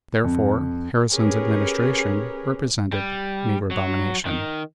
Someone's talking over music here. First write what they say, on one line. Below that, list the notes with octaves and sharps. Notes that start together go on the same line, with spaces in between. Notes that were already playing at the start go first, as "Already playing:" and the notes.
Therefore, Harrison's administration represented "Negro Domination."
F2
C#4 G4 G#4 A#4 B4 C#5
G3
F#3
D#3